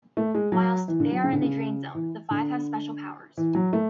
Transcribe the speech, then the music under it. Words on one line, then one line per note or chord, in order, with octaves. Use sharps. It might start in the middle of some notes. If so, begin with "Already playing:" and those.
Whilst they are in the Dream Zone, the five have special powers.
A3
G#3
F#3
E3
D3
F#3
C#3
D3
C#3
E3
D3
E3
F#3
A3